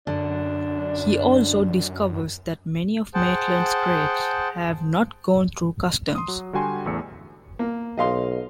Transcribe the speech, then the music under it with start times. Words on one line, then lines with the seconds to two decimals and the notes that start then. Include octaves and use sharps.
He also discovers that many of Maitland's crates have not gone through customs.
0.07 F#2 D3 D4
3.14 G#4 C5 F#5 G5 A5
6.15 C6 D#6
6.28 F#3
6.53 D3 G3 F#4 G5 G#5 C6
6.86 A1 E2 A3 E6 C#7
7.59 A#3
7.97 B1 D#5 F5 C6